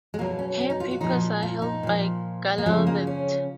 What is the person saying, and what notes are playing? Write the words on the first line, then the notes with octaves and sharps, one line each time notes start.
Her papers are held by Gallaudet.
G#3
B2 F#3 A#3
C#4
C#4
D#4
F4
F#4
A#2 F3 D#4
F4
D#4
A#2 F3
A#3
C#3 F3 G#3
A#3
C#4